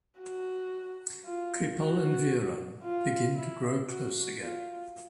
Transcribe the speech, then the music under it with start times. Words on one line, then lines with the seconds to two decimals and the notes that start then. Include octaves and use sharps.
Kripal and Veeran begin to grow close again.
0.19 F#4
1.25 F4
1.77 F#4
2.82 F4
3.35 E4
3.88 F#4
4.40 F4